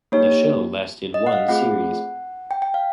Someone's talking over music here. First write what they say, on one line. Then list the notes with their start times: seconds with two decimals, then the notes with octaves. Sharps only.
The show lasted one series.
0.12 A#3 D#4 G4 C#5
1.14 D#5
1.27 F#5
1.32 F5
1.48 A3 C4 F4 G#4 F#5
2.51 G5
2.62 G5
2.74 F5